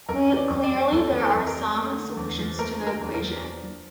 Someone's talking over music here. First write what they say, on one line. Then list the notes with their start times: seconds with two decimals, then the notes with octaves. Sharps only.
Clearly, there "are" some solutions to the equation.
0.09 F2 A#4
0.29 E3
0.36 D5
0.50 F2
0.64 D5
0.71 G3
0.92 F2 A4
1.12 E3
1.20 A4
1.33 F2
1.47 A#4
1.55 G3
1.76 A3
1.96 D3
2.17 E2
2.38 F3
2.58 A3 A#4
2.80 D3
2.86 A#4
3.00 E2
3.14 A#4
3.22 F3
3.42 D4
3.64 F3